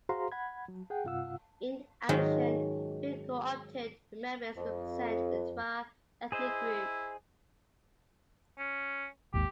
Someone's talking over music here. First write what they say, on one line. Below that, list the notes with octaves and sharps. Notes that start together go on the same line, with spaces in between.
In addition, three co-opted members represent the Twa ethnic group.
F#4 G#4 C5 F5 A#5 C6
F#5 B5 G#6
F#3
G#4 F#5 G5
G2 C3 F4 F5 F#5 E6
G#2 D#3 F#3 G#3 C#4 F4
F2
E4 G#4 C5 D#5
C#4
G#1 D#2 G4